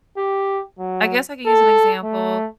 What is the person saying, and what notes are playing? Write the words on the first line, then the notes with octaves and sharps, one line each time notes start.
I guess I could use an example.
G4
F#3
A4
A3